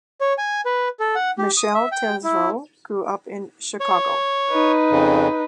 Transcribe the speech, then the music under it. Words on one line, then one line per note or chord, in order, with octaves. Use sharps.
Michelle Tesoro grew up in Chicago.
C#5
G#5
B4
A4
F#5
G4
D#6
E5
G5
E4
C#5
D#4 B4
F2 C#3